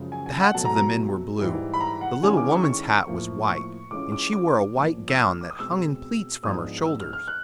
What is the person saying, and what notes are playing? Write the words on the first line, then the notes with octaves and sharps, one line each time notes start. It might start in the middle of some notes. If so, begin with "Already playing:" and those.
The hats of the men were blue; the little woman's hat was white, and she wore a white gown that hung in pleats from her shoulders.
Already playing: F#2 C#3 F3 G#3
G#5
G#5
F#5
B2 F#3 A3 A5
A#5
A#5
G#2 E3 G3
B5
A#5
F#5
D#3 G#3 C#4 E4 G#5
D6
C#6
C#6
A2 F3 A#3
C#6
E3 G#3 C#4 F4 D6
D6
D6
A#2 F3 A#3
E6
F6
D6
D#6
B2 G#3 C4 E6
G#2 F3 G#3 B3 D4 D#6
E6
F6
F6
F#6